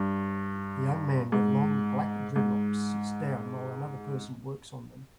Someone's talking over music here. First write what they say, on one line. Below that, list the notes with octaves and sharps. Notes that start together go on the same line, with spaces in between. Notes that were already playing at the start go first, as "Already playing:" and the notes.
A young man with long black dreadlocks sits down while another person works on them.
Already playing: G2
G#2
G#2